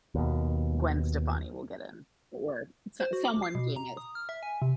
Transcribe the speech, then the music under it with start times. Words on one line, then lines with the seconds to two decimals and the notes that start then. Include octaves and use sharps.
Gwen Stefani will get in, o or so someone famous.
0.15 D#2 B2
3.00 C5
3.13 F#4
3.25 D6
3.43 C7
3.55 B2
3.76 A#5
3.97 D#6
4.15 F6
4.29 E5
4.43 G#5
4.62 C3